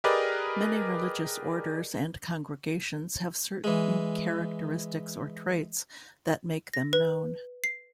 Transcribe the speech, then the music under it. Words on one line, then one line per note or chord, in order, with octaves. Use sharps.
Many religious orders and congregations have certain characteristics or traits that make them known.
G4 G#4 A#4 B4 D5 D#5
E3 G#3
A#6
B4
C7